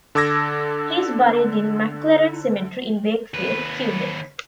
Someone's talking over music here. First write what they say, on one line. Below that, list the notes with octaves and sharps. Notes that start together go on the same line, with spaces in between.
He is buried in Maclaren Cemetery in Wakefield, Quebec.
D3 A4 D6 E6 G#6 A#6
D#2 B4